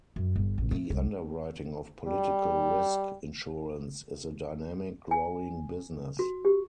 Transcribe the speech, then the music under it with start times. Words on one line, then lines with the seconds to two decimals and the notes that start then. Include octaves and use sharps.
The underwriting of political risk insurance is a dynamic, growing business.
0.16 F#2
0.36 G1
0.58 A1
0.71 A3
0.90 C2
2.07 G3
5.11 G#5
6.19 F#4
6.45 G4